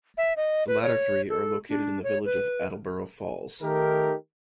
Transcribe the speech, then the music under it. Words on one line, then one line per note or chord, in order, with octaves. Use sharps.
The latter three are located in the village of Attleborough Falls.
E5
D#5
B4
C#5
A4
D4
C#5
B4
D#3 A3 D#4 G4 A#4